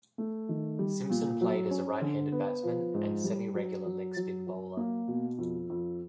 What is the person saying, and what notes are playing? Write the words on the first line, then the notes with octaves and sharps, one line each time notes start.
Simpson played as a right-handed batsman and semi-regular leg spin bowler.
A3
D#3
G3
A#2
F#3
C#4
D3
B3
F3
G#2
G3
F#3
F#3
F#3
F#3
A#3
B2
F2
F2